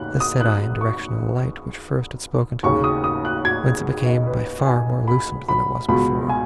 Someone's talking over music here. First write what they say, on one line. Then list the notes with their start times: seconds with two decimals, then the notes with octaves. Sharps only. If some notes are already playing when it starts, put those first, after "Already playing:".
This said I in direction of the light Which first had spoken to me; whence it became By far more lucent than it was before.
Already playing: D#2 C#3 F#6
0.20 D#6
0.41 F#6
0.81 C#6
2.63 D#2 C#3 C#6
2.84 D#6
3.04 D#6
3.25 F#6
3.45 G#6
4.06 D#5
4.27 B4
4.66 G#5
5.08 B5
5.49 B5
5.88 C#2 B2 B5
6.29 G#5